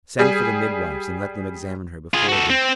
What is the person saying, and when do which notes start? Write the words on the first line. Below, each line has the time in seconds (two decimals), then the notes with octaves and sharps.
Send for the midwives and let them examine her before thee.
0.19 G3 G#4
2.14 F4 G#4
2.28 F#4 A4
2.50 C4